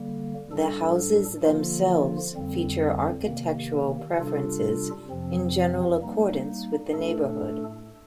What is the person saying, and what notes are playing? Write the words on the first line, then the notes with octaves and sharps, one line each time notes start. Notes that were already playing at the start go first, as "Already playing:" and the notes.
The houses themselves feature architectural preferences in general accordance with the neighborhood.
Already playing: D3 G3 A#3
A2 G3 D4 A4
D3 F3 A#3 F4
F2 D3 G3 C4
C3 D#3 A#3
C3 G3 D4 F4 A4
F2 C3 F3 C4
G3 A#3 D#4
A2 A3 D4 A4